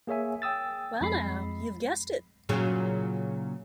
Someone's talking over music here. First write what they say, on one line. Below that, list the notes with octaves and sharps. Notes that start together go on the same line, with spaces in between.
Well now, you’ve guessed it!
A#3 G#4 C#5 E5 G#5
G5 D#6 E6 A6
F2 G#3 B5 C7
A#2 C#3 F#3